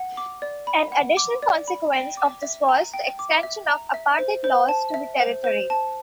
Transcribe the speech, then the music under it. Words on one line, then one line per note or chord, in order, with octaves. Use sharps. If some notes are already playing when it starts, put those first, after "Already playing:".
An additional consequence of this was the extension of apartheid laws to the territory.
Already playing: F#5
D6
D5
B5
F#5
D6
D5
B5
G5
D6
E5
A#5
G5
D6
E5
A#5
E5
C5
C5
A5
E5
C5
C5
A5